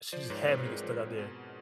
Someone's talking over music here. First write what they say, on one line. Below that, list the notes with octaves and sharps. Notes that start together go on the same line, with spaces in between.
She just happened to get stuck out there,
F3 C5 D5
G#2 B4 C#5
C4 B4 C#5
G#3 G#4 A#4
F3
G#2
B2